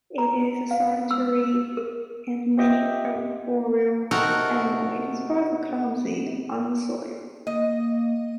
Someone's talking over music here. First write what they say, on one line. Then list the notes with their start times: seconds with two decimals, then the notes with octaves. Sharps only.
It is a solitary and mainly arboreal animal; it is rather clumsy on the soil.
0.18 A#5
0.71 F5
1.11 E6
1.77 A#4
2.57 C4 F4 G4 D#5 E5 G5
4.11 C3 D#4 F#4 A4 A#4
7.47 A#3 D#5